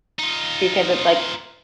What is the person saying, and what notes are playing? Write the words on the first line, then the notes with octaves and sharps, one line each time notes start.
because it's, like,
D#4 F4